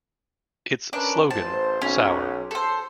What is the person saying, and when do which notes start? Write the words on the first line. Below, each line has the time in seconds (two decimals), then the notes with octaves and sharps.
Its slogan, Sour.
0.93 C#4 D4 A#4 B4
1.30 A1 C5 A5
1.82 B1 C#4
2.51 A4 C5